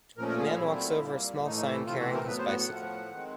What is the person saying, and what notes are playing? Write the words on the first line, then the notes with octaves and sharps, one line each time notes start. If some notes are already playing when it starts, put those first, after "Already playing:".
A man walks over a small sign carrying his bicycle.
A#2 F3 A3 C#4 A#4
A#4
G#4
E4
A#2 F#3 A3 C4
A#2 G3 A#3
A2 E3 A3 D#4
D#4
E4
C3 E3 A3 C4 F4
F#4
A#4
A2 F#3 B3 B4
C5
F#5
F#5
A2 F3 A3
D#3 G#3 C4